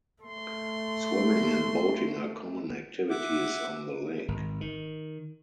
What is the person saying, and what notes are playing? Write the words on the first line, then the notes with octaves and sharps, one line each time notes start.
Swimming and boating are common activities on the lake.
A3 C6
E5 F#5 D6
G#1
D#3